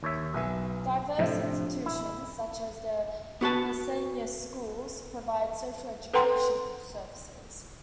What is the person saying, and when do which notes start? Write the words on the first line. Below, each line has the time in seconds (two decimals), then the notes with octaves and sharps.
Diverse institutions, such as the miscellaneous schools, provide social education services.
0.03 D#2 C#5 E5
0.34 B1 B4 E5 G#5
0.82 A#5
1.18 A2 C3 F3 D4 F4
1.86 B2 E4 E5
3.41 B3 F#4 B4 A5
6.14 A4 B4 F#5 G5 A#5 C6